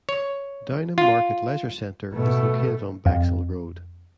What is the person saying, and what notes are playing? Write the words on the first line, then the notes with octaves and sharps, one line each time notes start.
Downham Market Leisure Centre is located on Bexwell Road.
C#5
F4
B2 A3
F2